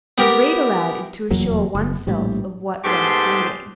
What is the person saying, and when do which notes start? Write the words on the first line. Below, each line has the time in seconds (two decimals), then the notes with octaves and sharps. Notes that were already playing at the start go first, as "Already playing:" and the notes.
To read aloud is to assure one's self of what one is reading.
0.18 B3 G4 A#4
1.31 F1 E2 F#3 A#3
1.75 F#1
2.07 A#1 A2 G3
2.85 G#2 A3 B3 G4 A5 C6